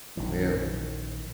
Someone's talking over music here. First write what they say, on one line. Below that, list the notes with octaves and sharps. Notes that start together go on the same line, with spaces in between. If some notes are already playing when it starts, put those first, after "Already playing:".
M Yeah.
A#1 D#3 E3